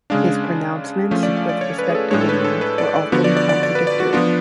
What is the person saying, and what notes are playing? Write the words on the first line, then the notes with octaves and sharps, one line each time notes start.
His pronouncements with respect to women were often contradictory.
C#3 G#3 D4 F5
F3 A3 C#4 F5
D5
F5
D5
C#5
B4
G#4
A4
A2 G#3 D4 C#5
A4
B4
A4
B4
D5
D5
D3 F3 B3 F#4
D5
D5
D5
D5
B4
D5
F#4
F3 B3 D4 F4